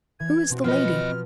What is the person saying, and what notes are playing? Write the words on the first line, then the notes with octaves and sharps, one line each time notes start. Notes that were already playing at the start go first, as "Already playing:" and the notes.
"Who is the lady?"
E3 G#6
B2 C4 F#4
F3 C4 B4 D#5 F#5 F6